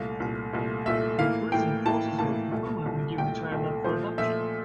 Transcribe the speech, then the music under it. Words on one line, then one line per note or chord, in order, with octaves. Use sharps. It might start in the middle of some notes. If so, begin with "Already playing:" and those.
The prison forces her to permanently give the child up for adoption.
Already playing: C2 A#2 A3 F5
C2 A#2 A3
C2 A#2 A3
C2 A#2 A3 E5
A2 E3 A#3 F5
A2 E3 A#3 G5
A2 E3 A#3 A5
A2 E3 A#3 A5
C2 A#2 A3
C2 A#2 A3
C2 A#2 A3 G5
C2 A#2 A3
A#2 F3 A3 C5
A#2 F3 A3 E5